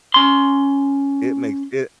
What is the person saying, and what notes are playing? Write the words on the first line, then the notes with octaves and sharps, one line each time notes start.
it makes it
C#4 C6